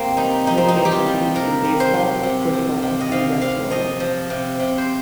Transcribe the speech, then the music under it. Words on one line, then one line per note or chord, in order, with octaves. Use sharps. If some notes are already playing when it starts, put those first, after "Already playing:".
Men may compete in baseball, football, and wrestling.
Already playing: C3 A#3 C4
G3 D#4
G3 D#4
C4
D#4
G3
G4
F4
G3
C3 A#4
G3
C5
C3
C3
F3
C3
D#5
C3 F5
C3 F5
F3 D#5
F3
C3
C3
C5